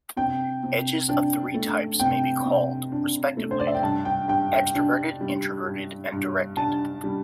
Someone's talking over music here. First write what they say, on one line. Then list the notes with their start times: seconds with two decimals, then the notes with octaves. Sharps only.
Edges of these three types may be called, respectively, extraverted, introverted, and directed.
0.17 C3 G5
0.63 C3
1.09 D4 G5
1.54 A3
2.00 C3 G5
2.45 C3
2.92 D4
3.37 A3
3.51 C5
3.60 D5
3.67 E5
3.75 G5
3.82 G2 A5
4.05 G5
4.28 G2 G5
4.52 G5
4.75 D4
5.21 G3
5.66 G2
6.12 G2
6.57 D4 A5
7.04 G3